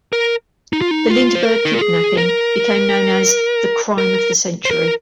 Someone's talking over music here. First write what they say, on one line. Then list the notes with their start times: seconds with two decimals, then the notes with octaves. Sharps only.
The Lindbergh kidnapping became known as "The Crime of the Century".
0.13 A#4
0.73 D#4
0.82 F4
0.91 D#4
1.10 F4
1.35 C5
1.45 A#4
1.65 D#4
1.73 F4
1.81 G#4
2.18 A#4
3.98 A#4
4.65 C5
4.71 A#4